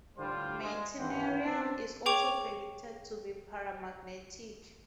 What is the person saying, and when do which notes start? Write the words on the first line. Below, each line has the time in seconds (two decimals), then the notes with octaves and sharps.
Meitnerium is also predicted to be paramagnetic.
0.18 A2 D3 G3 F4 C5
0.62 G#3
0.98 G2 D#3 E3 F#5 G5 C6
1.44 B3 C4 C5 E5 A5
2.06 G#4 C#5 G5 C#6 D6 F7